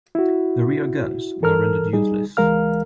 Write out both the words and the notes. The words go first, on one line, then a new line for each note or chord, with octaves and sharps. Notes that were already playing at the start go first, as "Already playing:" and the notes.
The rear guns were rendered useless.
E4 F#4
E3 A4 A#4 F6
G3 D#4 G#4
C#2 E3 G#3 A#4 F5 F6